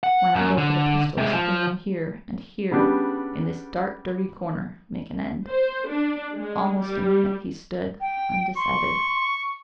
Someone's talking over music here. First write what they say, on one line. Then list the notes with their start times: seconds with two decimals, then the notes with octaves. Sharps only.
"Why not go for the pistols, bring them here, and here, in this dark dirty corner, make an end?" Almost a minute he stood, undecided.
0.04 F#5
0.35 F#2
0.58 D3
1.18 C3 G#3
1.34 F3
2.71 C#3 G3 B3 D4
5.49 C5
5.88 D4
6.34 G#3
6.80 G3
8.01 G5
8.56 C6 C#6